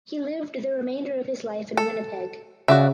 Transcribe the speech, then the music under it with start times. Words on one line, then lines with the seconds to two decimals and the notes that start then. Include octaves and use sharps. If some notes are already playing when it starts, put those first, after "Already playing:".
He lived the remainder of his life in Winnipeg.
1.77 A4
2.68 C#3 F#4 D5 E5